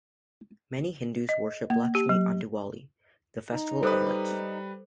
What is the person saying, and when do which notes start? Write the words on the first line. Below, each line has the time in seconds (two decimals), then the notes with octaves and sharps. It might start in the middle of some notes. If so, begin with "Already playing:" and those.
Many Hindus worship Lakshmi on Diwali, the festival of lights.
1.29 D#5
1.70 A#3
1.95 G4
2.09 F#3
3.51 D#4
3.83 G3 A4 B4 C5 D#6